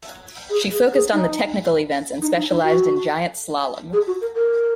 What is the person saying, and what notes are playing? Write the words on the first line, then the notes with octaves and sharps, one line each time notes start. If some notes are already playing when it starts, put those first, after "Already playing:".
She focused on the technical events and specialized in giant slalom.
G#4
G#4
G#4
D#4
D#4
D#4
D#4
F#4
G#4
F#4
A#4
A#4